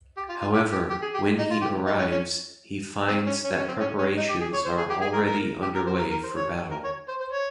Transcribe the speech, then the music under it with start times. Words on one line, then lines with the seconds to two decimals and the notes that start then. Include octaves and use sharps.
However, when he arrives, he finds that preparations are already underway for battle.
0.17 G4
0.29 F4
0.41 F4
0.54 G4
0.72 G4
0.90 G4
1.02 G#4
1.15 G4
1.39 D#4
1.51 F4
1.62 G4
1.87 D#4
1.99 C#4
2.11 C#4
3.08 C4
3.27 C#4
3.44 C#4
3.57 C#4
3.68 C4
3.80 C#4
3.99 C#4
4.17 D#4
4.29 G4
4.41 G#4
4.54 C#5
4.65 C5
4.78 G#4
4.90 G4
5.02 G#4
5.13 A#4
5.26 A#4
5.62 G4
5.75 A#4
5.87 C5
5.99 A#4
6.11 A#4
6.24 C5
6.36 C#5
6.71 A#4
6.84 C#5
7.08 C5
7.20 C5
7.32 C#5